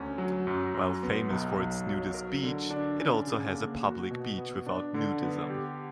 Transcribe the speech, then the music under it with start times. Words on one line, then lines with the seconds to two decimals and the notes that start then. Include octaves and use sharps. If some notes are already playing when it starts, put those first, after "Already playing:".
While famous for its nudist beach, it also has a public beach without nudism.
Already playing: D2 C#4
0.18 F#3
0.47 F#2
0.74 F#2
1.03 B3
1.30 B1
1.58 B1
1.87 F#3
2.14 A#4
2.43 D3
2.71 D4
2.99 C#4
3.27 C#3
3.54 A#3
3.83 F#4
4.11 B2
4.38 B3
4.66 D4
4.94 D3
5.22 B3
5.50 G4